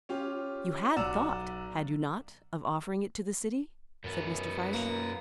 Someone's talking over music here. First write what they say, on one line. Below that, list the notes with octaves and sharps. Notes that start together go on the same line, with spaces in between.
"You had thought, had you not, of offering it to the city?" said Mr. Fyshe.
C#4 F4 G4
B1 D5 F#5 A#5 E6 E7
F#2 B3
A#3